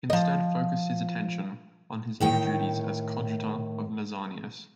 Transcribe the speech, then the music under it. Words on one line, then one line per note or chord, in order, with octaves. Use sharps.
He instead focused his attention on his new duties as coadjutor of Nazianzus.
F3 D#5
A2 D#3 G5